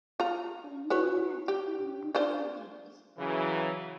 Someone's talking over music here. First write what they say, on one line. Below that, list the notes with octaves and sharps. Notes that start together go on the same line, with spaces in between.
The Union had different names through the years.
F4 A#5
F#4 B4 C#5
G4
D4 F4 C5
C#3 E3 F#3